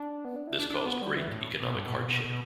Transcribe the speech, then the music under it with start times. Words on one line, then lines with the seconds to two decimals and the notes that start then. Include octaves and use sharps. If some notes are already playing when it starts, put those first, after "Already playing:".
This caused great economic hardship.
Already playing: D4
0.25 B3
0.36 D4
0.47 E4
0.59 D4
0.70 D4
0.86 B3
1.02 G3
1.16 E3
1.28 G2
1.32 A2
1.63 B2
1.75 G2
1.86 B2
1.92 A2
1.97 B2
2.09 B2
2.25 B2